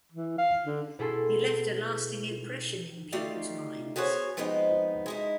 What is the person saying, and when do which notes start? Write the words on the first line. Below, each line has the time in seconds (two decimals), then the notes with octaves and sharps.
He left a lasting impression in people's minds.
0.12 E3
0.38 F5
0.66 D3
0.99 B2 E4 G#4 A4 C6
3.12 A3 D#4 F4 G4 D5 F5
3.96 B3 F#4 G#4 C5 C#5
4.37 F3 G#3 B3 C4 D#4
5.06 G#3 D#4 E4